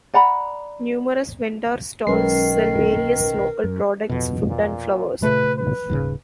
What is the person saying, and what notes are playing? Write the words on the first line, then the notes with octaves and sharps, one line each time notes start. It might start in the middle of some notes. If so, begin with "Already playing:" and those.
Numerous vendor stalls sell various local products, food, and flowers.
D5 F#5 A#5 B5
B1 D#3 F#3 G#3 C#4 A#4 B4 C7
F#2
F2 B2
A#2
A#2 C#3 A3 B4
B4
D#1 G#2 C#3